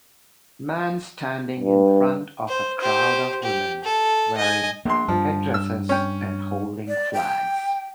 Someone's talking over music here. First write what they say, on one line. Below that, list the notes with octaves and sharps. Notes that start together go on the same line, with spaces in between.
Man standing in front of a crowd of women wearing headdresses and holding flags.
G2
C5
G4 C5
G4
A4
D#5 G#5
A#1 A#3 C6
G2 F3
E6
C#4 G5
D5
G5